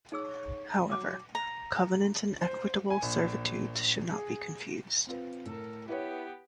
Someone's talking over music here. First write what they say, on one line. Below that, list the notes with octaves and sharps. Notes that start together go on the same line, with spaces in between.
However, covenants and equitable servitudes should not be confused.
D#4 G#4 C#5 E6
F#3 D6
A#5
C5
G#5
A#1
G#4
C4 F4 B4
A2 A4 A#4
B3 E4 G4 B4 C#5